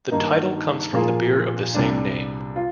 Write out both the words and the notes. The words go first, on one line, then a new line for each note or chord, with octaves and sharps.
The title comes from the beer of the same name.
G2 D#3 A#3 D#4 A#4
A#2 F3 A#3 F4 G#4
C2 C3 G3 D4
F4